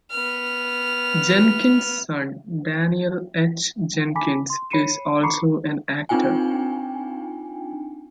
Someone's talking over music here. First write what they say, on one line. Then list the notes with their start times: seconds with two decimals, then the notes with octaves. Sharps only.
Jenkins' son, Daniel H. Jenkins, is also an actor.
0.11 B3 F6
4.15 G#5 A5 B5 D6 B6
4.50 C6
4.70 C#5 B5 C7 C#7 D#7 E7
5.23 A#5 B5 C#6 D6 C7 C#7
6.09 C4 D4 D#4 F4 G5 G#5